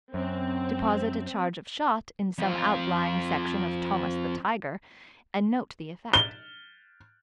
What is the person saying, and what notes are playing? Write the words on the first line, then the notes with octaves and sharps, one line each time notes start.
Deposit a charge of shot in some outlying section of Thomas the Tiger, and note the effect.
F#2 C4
F2 F4
G7